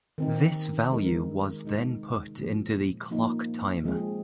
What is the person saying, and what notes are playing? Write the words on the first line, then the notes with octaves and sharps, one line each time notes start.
This value was then put into the clock timer.
D#3 C4 D#4
G#3 C4 D#4 A#4
C3 G#3 D#4
A#2 F3 G#3
F3 A#3 D#4
F3 G#3 C4 G#4